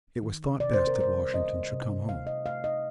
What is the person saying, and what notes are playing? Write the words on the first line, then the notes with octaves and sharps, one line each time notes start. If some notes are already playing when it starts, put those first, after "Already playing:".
It was thought best that Washington should come home.
D#3
C3 D5
C5
A#4
G3 C5
G3 D#5
C3
A3 F5
D#5
A3 F5
D#5